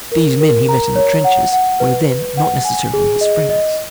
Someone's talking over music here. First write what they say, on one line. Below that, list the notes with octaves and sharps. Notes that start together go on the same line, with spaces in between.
These men he met in the trenches were then not necessarily his friends.
A#4
A#4
A#5
C#5
F#5
F#5
B4
B4
F#5
G#5
G#4
D#5
D#5